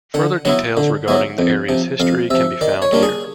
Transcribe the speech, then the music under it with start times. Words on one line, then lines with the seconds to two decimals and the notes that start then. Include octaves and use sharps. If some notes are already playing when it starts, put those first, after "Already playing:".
Further details regarding the area's history can be found here.
0.14 D3 F#5
0.45 F#3 B3 E4 F#5
0.77 D3
1.08 F#3 B3 E4
1.39 F2
1.69 C3 F3
2.00 F2 F5
2.30 C3 F3 E5
2.61 D#3 D5
2.82 C#5
2.92 G3 A#3 D4 F4
3.03 G#4